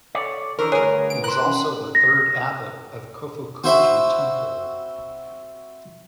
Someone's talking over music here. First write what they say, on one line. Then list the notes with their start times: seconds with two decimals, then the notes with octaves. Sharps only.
He was also the third abbot of Kofukuji Temple.
0.15 A4 C#5 D5
0.59 D#3 E3 D4 A#4 C5
0.72 D2 G2 G#4 A#4 B4 C#5
1.10 D7
1.24 A#4 C5 F#6
1.45 C#4
1.95 A#6
3.64 C4 F#4 C5 E5 B5